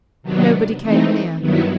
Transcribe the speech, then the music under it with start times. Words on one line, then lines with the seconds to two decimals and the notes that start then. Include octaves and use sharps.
Nobody came near.
0.23 C3 D#3 F#3 B3 D4
0.81 E3 A3 C4 D#4
1.40 G2 D#3 F#3 B3 E4